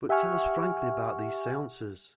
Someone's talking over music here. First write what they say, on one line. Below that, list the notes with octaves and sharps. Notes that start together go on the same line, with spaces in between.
But tell us frankly about these seances.
G4 E5 F#5 G#5 C#6 F6